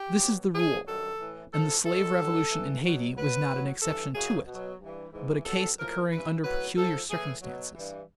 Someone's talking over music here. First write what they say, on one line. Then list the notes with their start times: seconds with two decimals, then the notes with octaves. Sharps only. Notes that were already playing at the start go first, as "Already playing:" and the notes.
This is the rule; and the slave revolution in Hayti was not an exception to it, but a case occurring under peculiar circumstances.
Already playing: G4
0.20 B2 F#3
0.53 A2 F3 G#4
0.86 G2 D#3 F#3 A4
1.19 A2 E3
1.51 A2 F3 A4
1.84 G2 D#3 F#3 A4
2.18 G2 D#3 F#3
2.50 G2 E3
2.84 B2 F#3
3.16 B2 F#3 B4
3.48 A2 F#3
3.81 G2 E3 A4
4.14 F#2 C#3 F#3 G#4
4.46 B2 F#3
4.80 G2 E3
5.13 G#2 E3
5.45 B2 F#3 A4
5.78 A2 F3 A#4
6.11 G2 E3 B4
6.43 A2 F#3 B4
6.76 G#2 F3 A4
7.09 A2 E3 G#4
7.42 B2 F#3
7.75 G2 E3